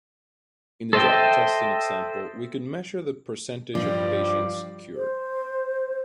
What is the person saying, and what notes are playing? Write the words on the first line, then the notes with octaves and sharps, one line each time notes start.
In the drug testing example, we could measure the percentage of patients cured.
A4 C5 D#5 E5 G5
G2 F3 G3 D5
C5